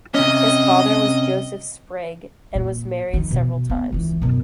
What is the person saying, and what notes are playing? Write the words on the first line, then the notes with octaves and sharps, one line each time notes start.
His father was Joseph Sprigg and was married several times.
C3 C#4 D#5
A#2
D#3 F3
B2
B3
C#2 E3
F#2 B2